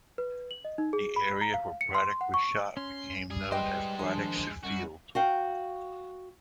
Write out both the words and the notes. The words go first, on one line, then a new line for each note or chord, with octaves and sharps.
The area where Braddock was shot became known as Braddock's Field.
B4
F#7
D#5
D#4
G#4
B5
A#5
F5
C#7
C6
F#5
C#6
C#4 C6
G3 G#4
G#3 B4 C5 D#5 G5
D#3 F3 D4 G#5
F#2 G3 F#4
F#4 F5 G5